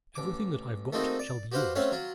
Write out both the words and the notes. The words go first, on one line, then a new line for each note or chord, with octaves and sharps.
Everything that I've got shall be yours.
A1 D6
A3 A#3 C4 D#4 F#4 G#4
D5
F#4 G4 B4 C5 F5 F#5
A3 C4 C#4 C#5 F5 F#5
F#3 F4 F#4